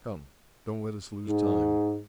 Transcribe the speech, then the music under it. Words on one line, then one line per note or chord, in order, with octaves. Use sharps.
Come, don't let us lose time.
G#2